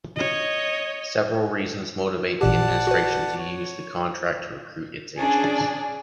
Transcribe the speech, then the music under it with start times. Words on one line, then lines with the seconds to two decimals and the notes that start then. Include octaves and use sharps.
Several reasons motivates the administration to use the contract to recruit its agents.
0.16 C#5 D#5
2.41 A1 A#2 G4 D5 F#5 A5
2.87 F#4 B4
3.38 C#5
5.17 C#4 D4 G#4 D5